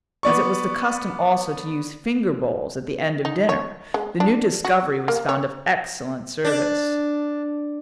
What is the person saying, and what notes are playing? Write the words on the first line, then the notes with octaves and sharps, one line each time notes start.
As it was the custom also to use finger-bowls at the end of dinner, the new discovery was found of excellent service.
B3 D5 C#6
D#4
C#5
G#3
D4
F#4
A#3
C#5
D4